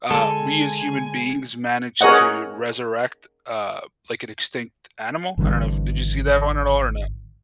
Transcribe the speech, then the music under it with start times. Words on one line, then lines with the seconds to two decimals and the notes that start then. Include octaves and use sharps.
uh, we as human beings managed to resurrect, uh, like, an extinct animal. I don't know if did you see that one at all or not?
0.11 D3 G#3 A4 G#5
2.01 G#4 A#4 C#5 D#5 F#5
5.38 G#1 D3 E3 G3